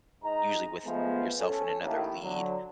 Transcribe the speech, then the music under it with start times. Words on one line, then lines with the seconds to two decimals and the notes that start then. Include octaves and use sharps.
usually with yourself and another lead.
0.23 G#2 D#4 D#5 A#5
0.85 F3 G#3 A3 B3
1.40 C#4 A4
1.82 D#2 A2
2.23 D3 F#3